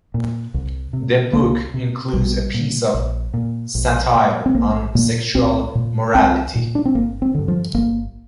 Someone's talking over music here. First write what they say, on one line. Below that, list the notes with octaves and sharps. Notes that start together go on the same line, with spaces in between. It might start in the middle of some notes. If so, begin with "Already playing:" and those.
The book includes a piece of satire on sexual morality.
A#2
C2
C3
C2 A#3
C3
A#1 G3
A#2
A#1
A#2
A#1
A#2
C4
A#1 A#3
A#2 A#3
C2 C4
A#2
C2 C4
A#2
D4
C4
G1 A#3
C4
G2 D3
F3
G1 A#3